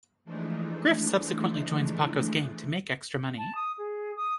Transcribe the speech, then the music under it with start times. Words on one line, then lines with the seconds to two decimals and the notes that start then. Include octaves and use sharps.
Griff subsequently joins Paco's gang to make extra money.
0.25 E3 F3 G#3 A3 D4 D#4
3.38 A5
3.55 D#6
3.78 G#4
4.16 D#6